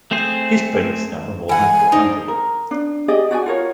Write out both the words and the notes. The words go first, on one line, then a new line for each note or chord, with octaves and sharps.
His prints number more than four hundred.
A3 C4 G#4 C5
E3 F#5 G#5
D4 D#4 C5
A#4
D4
G4 G#4 D5 D#5
F#4 D5 E5 G#5
F4 A#4 C#5